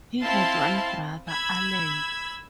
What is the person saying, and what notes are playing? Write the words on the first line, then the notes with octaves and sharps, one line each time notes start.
He had one brother, Alan.
C4 E4 F5 A5 C6
B5 E6 G#6